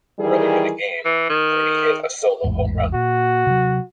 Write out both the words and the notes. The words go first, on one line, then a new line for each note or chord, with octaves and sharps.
Earlier in the game, Rudi hit a solo home run.
D#3 E3 G3 G#4
E3
D#3
A1 E2 G#2
A#2 F#4
C3 F#3